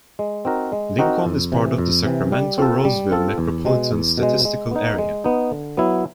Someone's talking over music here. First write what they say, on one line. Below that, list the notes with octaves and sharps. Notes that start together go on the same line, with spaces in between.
Lincoln is part of the Sacramento-Roseville Metropolitan Statistical Area.
G#3
C4 D#4 F#4 A#4
G#3
C4 D#4 F#4 A#4
F2
C3 E3
F2
C3 E3
G3
C4 F4 A4
G3
C4 F4 A4
E2
B2 G#3
E2
B2
G#3
G#3
B3 D#4
G#3
B3 D#4
D3
F#3 B3 E4